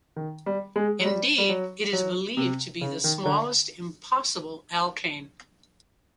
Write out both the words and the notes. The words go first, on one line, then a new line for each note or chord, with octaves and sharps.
Indeed, it is believed to be the smallest "impossible" alkane.
D#3
G3
G#3
F#3
G3
G3
F#3
F#3
C3
C#3
D#3
D3